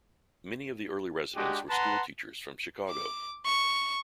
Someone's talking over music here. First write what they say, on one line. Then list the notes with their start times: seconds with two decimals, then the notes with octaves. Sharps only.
Many of the early residents were schoolteachers from Chicago.
1.35 G#3 D4 F#4 G4
1.69 B4 F#5 A5 A#5 C6
2.89 D6
3.45 C#6